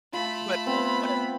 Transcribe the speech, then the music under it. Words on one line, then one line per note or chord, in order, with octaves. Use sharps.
but, oh, what is
A3 F4 B5
B3 C4